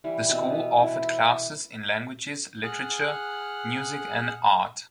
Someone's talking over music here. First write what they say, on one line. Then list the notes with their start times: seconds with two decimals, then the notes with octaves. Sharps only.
The school offered classes in languages, literature, music and art.
0.04 E3 G3
0.29 B2 C4
0.82 E4
2.63 G#4 F#5 F6 F#6